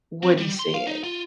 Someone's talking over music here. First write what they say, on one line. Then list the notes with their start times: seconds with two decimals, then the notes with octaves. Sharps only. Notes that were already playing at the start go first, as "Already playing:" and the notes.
what he said,
0.23 C4
0.37 G3
0.59 C6
0.74 F5
0.87 D#4
1.04 F4